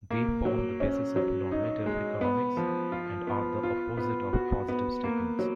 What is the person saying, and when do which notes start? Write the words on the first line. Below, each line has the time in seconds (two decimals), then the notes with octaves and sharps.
They form the basis of normative economics, and are the opposite of positive statements.
0.10 A#3
0.45 F#3
0.80 C#4
1.16 F#3
1.51 D#4
1.86 G#3
2.21 B3
2.57 F3
2.92 F4
3.27 B3
3.63 F4
3.97 B3
4.33 F#4
4.68 B3
5.04 A#3
5.39 F#3